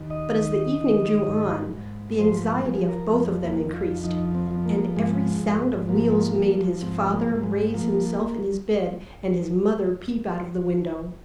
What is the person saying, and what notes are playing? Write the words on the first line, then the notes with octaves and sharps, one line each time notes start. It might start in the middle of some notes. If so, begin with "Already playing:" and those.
But as the evening drew on, the anxiety of both of them increased, and every sound of wheels made his father raise himself in his bed, and his mother peep out of the window.
Already playing: D#2
D#5
D#3
D#3
G#2
G#2
F3 C5
F3 G#4
A#4
F2
A#3
F2
F4
F3 D#4
C4
F3
A#3
G#2 G#3
G#2
F3 A#3
F3
G#2 C4
A#3
G#2
A#3
G#3
F3 A#3